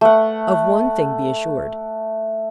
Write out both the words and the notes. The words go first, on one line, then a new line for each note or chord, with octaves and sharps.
Of one thing be assured.
A3 F#5